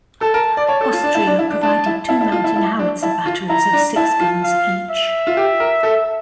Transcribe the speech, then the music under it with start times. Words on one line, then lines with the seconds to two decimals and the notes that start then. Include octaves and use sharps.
Austria provided two mountain howitzer batteries of six guns each.
0.21 A4 A5
0.34 A#4
0.57 D5
0.68 C#5 A5
0.81 A4
0.92 F4
1.03 D4
1.15 E4
1.27 D4
1.39 E4
1.50 D4
1.62 D4 A5
1.86 E4
2.09 E4 A5
2.21 E4
2.32 F4
2.44 E4
2.56 E4
2.79 D4
3.02 E4 A5
3.26 F4
3.49 E4 A#5
3.73 D4
3.96 E4 A5
4.20 F4
4.43 F5
4.90 E5
5.27 F4
5.37 G4
5.60 A#4
5.83 A4